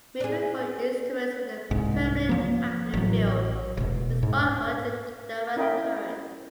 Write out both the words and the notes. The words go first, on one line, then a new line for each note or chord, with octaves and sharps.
Moving-coil instruments with a permanent-magnet field respond only to direct current.
D4 G#4
C2 G#2
F3 A#3
A1 F#3
E1 B2
G#2
C#4 E4 A#4 D#5 G5 B5